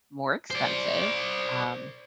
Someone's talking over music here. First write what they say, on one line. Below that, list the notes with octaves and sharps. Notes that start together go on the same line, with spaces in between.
more expensive, um
C5 D5